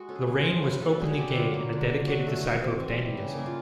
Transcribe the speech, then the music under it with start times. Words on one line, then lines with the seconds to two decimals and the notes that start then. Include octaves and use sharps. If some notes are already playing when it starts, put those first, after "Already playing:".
Lorrain was openly gay and a dedicated disciple of dandyism.
Already playing: G#3 F#4
0.09 C#4 A4
0.16 G#4
0.27 E3
0.39 C5
0.45 E3
0.63 F#3 B4
0.82 B3 A4
1.00 D3 G#4
1.17 D3 G4
1.29 E4
1.35 F#3 F4
1.54 A#3
1.73 D3
1.90 D3
2.08 F#3 F#4
2.27 A3
2.45 D#3
2.62 C4
2.80 E3
2.99 G3
3.17 C#3
3.34 A#3 E4
3.46 F4